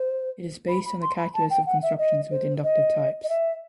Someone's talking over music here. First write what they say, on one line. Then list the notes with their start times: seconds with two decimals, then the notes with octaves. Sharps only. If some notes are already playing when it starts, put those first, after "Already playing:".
It is based on the calculus of constructions with inductive types.
Already playing: C5
0.68 B5
0.85 B5
1.01 C6
1.17 B5
1.34 A5
1.50 G5
1.66 F#5
1.82 E5
1.98 D#5
2.31 C5
2.63 D#5
3.23 D#5
3.29 E5